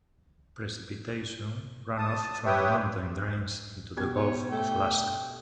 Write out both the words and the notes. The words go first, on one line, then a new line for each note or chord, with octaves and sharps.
Precipitation runoff from the mountain drains into the Gulf of Alaska.
A5 D#6
G4 B4 C#5 E5 G5 D#6
B2 G4 G#6
C#5
A3 G5